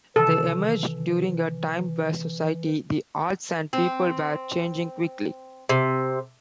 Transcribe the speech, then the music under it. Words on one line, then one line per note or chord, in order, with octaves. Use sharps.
They emerged during a time where society, the arts and people were changing quickly.
C3 D#3 E3 A4
C4
C3